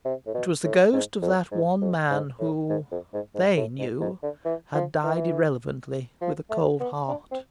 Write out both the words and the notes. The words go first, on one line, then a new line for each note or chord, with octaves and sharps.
It was the ghost of that one man who--THEY knew--had died irrelevantly, with a cold heart.
C3
A2
B2
A2
G#2
F2
G#2
F2
G#2
A2
G#2
F2
G#2
G#2
A2
G#2
G#2
D3
E3
F3
E3
F3
A3
B3
D4
C4